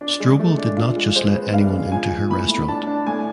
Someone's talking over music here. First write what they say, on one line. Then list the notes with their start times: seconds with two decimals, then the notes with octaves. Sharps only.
Strobel did not let just anyone into her restaurant.
0.01 D4
0.20 G#3
0.39 A3
0.58 D4
0.77 F4
0.96 G#3
1.16 G#3 C5
1.35 B3
1.54 D4 F5
1.73 G#3
1.92 F3 G#5
2.12 F3
2.31 A2 B5
2.49 A2
2.68 D4 A5
2.87 D4
3.07 A2 G#5